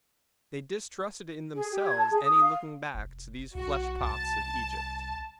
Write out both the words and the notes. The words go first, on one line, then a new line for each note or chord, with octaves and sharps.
They distrusted in themselves any looking back to these flesh-pots of Egypt.
G#4
G4
G#6
A5
G#4
D#6
F5
F1
B1 F#4
C2 A5